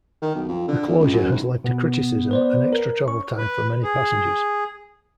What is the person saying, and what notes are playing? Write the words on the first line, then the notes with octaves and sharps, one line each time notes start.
The closure has led to criticism and extra travel time for many passengers.
D#3
B1
F2
D3
E2
C#2
F#2
G#1
B2 B3
B4 C5 D5
A#4
C#4 C#6
B4
G#4